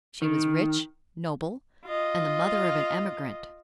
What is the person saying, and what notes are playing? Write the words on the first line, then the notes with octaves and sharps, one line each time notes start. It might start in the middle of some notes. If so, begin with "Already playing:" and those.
She was rich, noble, and the mother of an Emigrant.
D#3
F4 D#5